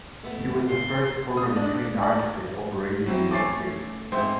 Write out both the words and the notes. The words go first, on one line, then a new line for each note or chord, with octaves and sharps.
He was the first formally trained architect operating in the state.
A3 B3 E4
C#3 C6
D#6
D4
D5
F#3 C4 E4
A3 C#4 D6 A6 C7
G#2 C4 E5